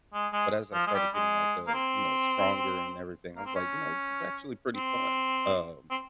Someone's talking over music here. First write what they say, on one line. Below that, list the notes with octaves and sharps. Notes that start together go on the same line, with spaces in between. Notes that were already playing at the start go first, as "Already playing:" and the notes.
but as I started getting, like, uh, you know, stronger and everything, I was like, "You know, this is actually pretty fun," um
G#3
G#3
F3
G#3
G3
G#3
A#3
C4
A#3
C4
C#4
C4
C4